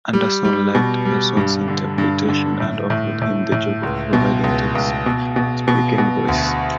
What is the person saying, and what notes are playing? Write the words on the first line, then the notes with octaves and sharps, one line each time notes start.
Anderson liked Parsons' interpretation and offered him the job of providing Tex's speaking voice.
G3
G3
B2
G3
G2
D3
G2
D3
A2
A2
A2
A2
C#2
B2
C#2
C#2
B2
B2
B2
B2
D2